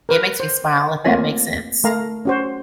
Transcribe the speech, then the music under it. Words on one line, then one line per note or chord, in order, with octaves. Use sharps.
It makes me smile, if that makes sense.
A#4 B4
C5
A3 A#3 C4 F4 C#5 G#5
A3 A#4 F5 A#5
C#4 F#4 C5